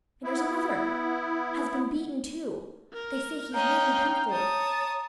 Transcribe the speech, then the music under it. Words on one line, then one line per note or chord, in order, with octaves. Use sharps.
And there's another has been beaten too--they say he's nearly done for....
B3 E4
A#4
C#4 D#5 F5 G5 A#5
C#5 A5 D#6